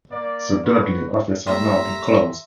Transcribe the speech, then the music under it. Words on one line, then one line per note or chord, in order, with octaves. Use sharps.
The Dudley office has now been closed.
A#3 D5
F#4 B4
G3 A3 A#3 E5 A#5 C6